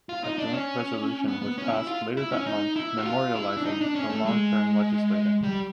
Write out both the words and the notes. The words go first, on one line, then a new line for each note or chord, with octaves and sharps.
A Joint Resolution was passed later that month memorializing the longtime legislator.
F4
D#4
D4
C#4
B3
B3
C#4
E4
F4
E4
C#4
D#4
E4
F#4
F4
E4
D4
D#4
D4
C#4
A3
G#3
G3